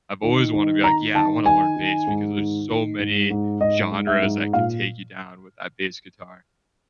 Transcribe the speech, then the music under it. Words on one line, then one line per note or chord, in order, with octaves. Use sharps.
I've always wanted to be like, "Yeah, I wanna learn bass because there's so many genres that can take you down with that bass guitar."
D#3
D#3
D#3 A#5
D#3 A5
D#3 G#5
D#3
G#2
D#3
D#3
G#2
G#2
G#2 D#5
G#2
E5
G#2
A#2 F5